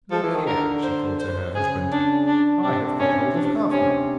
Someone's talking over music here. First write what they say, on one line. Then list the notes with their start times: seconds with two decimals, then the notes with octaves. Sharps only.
'Look here!' she called to her husband, 'I have got hold of Halfman.
0.11 F3 A4
0.23 E3
0.35 D#3
0.47 D3 A#4
0.83 C5
1.19 C5
1.55 C#3 G#4
1.91 D4
2.27 D4
2.63 C3 D4
3.00 C#4
3.35 D4
3.71 C3 C#4